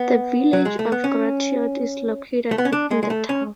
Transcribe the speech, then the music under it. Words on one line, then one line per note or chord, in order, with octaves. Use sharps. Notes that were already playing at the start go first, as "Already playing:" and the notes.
The Village of Gratiot is located within the town.
Already playing: B3
F#3
G#3
A3
B3
C#4
A3
B3
C#4
D4
G#3
G#3
A3
C#4